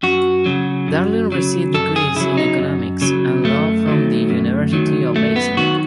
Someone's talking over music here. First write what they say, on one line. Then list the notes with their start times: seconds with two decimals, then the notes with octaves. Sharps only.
Darling received degrees in Economics and Law from the University of Basel.
0.03 F#2 F#4
0.46 C#3 F#3
0.88 F#2
1.32 C#3 F#3
1.74 F#2 A4
1.96 G#4
2.16 C#3 F#3 E4
2.37 D#4
2.59 F#2
3.02 C#3 F#3
3.44 F#2 A3
3.88 D#3 F#3
4.30 F#2
4.72 D#3 F#3
5.15 F#2 A3
5.36 B3
5.57 D#3 F#3 F#4